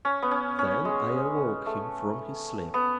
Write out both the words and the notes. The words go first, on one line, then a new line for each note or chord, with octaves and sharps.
Then I awoke him from his sleep.
C#4
B3
C#4
C#4
G#3
A3
B3